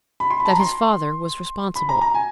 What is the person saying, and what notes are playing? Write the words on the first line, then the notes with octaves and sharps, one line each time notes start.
That his father was responsible.
B5
C6
B5
A5
A#5
C6
B5
A#5
A#5
G#5